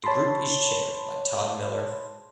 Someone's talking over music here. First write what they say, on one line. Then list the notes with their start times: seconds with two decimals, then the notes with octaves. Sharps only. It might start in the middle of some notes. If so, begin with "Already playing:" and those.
The group is chaired by Todd Miller.
0.04 C#5 A5 B5 C6